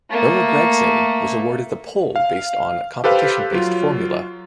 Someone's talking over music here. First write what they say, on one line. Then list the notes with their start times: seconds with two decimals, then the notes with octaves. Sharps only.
Noah Gragson was awarded the pole based on competition based formula.
0.10 A3 A#3
2.16 F5
3.04 G4 A4 B4 C5 F5
3.53 F#3 F4